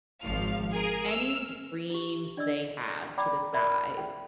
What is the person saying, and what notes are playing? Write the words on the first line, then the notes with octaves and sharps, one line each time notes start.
any dreams they have to the side.
G#1 F3 F5 F6
G#4 A#4
E6 F6
E4 G4
D4 D5 D#5 E6
D5 G5 A#5 B5 D6
A#4 D5 E5 B5
G5